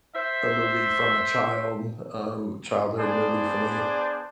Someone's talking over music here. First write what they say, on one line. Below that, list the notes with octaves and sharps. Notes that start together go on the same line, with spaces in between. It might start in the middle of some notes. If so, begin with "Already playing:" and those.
a movie from a child, um, childhood movie for me,
C5 E5
B3 D4 G#4 C5 D5